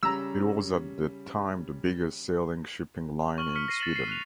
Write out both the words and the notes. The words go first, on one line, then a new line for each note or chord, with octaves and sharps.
It was at the time the biggest sailing shipping line in Sweden.
C#3 G3 C#4 A#5 E6
C#6 F6 F#7
F6 B6 C#7
A#6 C7 D#7
A6 B6 E7 F#7
C7
F6 F#6 C7 F7